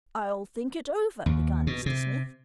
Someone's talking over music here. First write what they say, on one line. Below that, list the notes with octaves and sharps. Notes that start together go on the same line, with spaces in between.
'I'll think it over--' began Mr Smith.
D#2
B2
C3